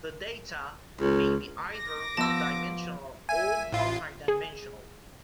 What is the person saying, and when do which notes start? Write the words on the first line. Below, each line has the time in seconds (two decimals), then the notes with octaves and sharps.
The data may be either one-dimensional or multi-dimensional.
1.00 C#2
1.76 D6 A#6
2.17 F3 B3 A5 E6
3.29 A#2 E5 G#5
3.72 A1 F4
4.28 G#4